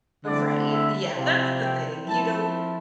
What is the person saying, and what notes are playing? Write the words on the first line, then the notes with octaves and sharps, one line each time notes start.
Right, yeah, that's the thing, you don't
D3 A3 C4 E4 D5
E5
C3 F3 C4 E4 F5
G5
F3 C4 E4 A5